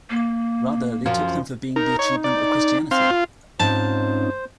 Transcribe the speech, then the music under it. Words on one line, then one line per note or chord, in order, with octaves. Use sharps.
Rather, they took them for being the achievement of Christianity.
A#3
F#2 F3 C#4
D#4 A#4
C#5
D5
C4 F5 C6
F4
G#2 C4 C#4 D#4 F4 C5 A5